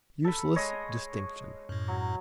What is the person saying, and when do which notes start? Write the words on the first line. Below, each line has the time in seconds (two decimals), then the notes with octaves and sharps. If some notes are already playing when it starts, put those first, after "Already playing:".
Useless distinction!
0.24 A4 B5
0.56 G#3 C#5 D#5
1.69 F#2 A2
1.88 F#3